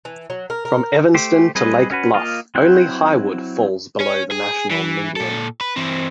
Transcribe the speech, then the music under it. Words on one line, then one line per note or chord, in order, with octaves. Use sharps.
From Evanston to Lake Bluff, only Highwood falls below the national median.
E3
F#3
A#4
A#4
A3 G4 C5
G3 C4 G#4 B4 D#5
C#4 F#4 B4
A#3 F4 D#5 F5
F#3 C4 E4 G5 F#6
C#4
G#4
E3
A#2 A4
B4
E3 C4